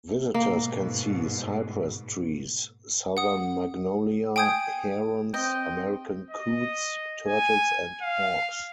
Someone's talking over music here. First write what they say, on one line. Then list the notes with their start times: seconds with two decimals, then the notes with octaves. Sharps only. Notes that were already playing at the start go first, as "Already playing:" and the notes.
Visitors can see cypress trees, southern magnolia, herons, American coots, turtles and hawks.
0.34 G#2 B2 A#3
3.17 F#5 D#6
4.36 G5 G#5 D#6 G6 G#6
5.34 C4 D#5 G5
6.31 D#5
7.27 G#5
8.02 F5